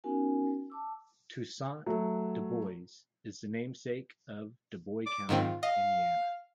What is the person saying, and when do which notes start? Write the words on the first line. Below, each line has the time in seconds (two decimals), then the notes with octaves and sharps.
Toussaint Dubois is the namesake of Dubois County, Indiana.
0.04 B3 C#4 D#4 F#4 A#4 G#5
0.70 A5 D6 E6
1.86 F#3 A3
5.06 D6
5.29 G#2 D#3 C4 F4
5.63 D#5 F5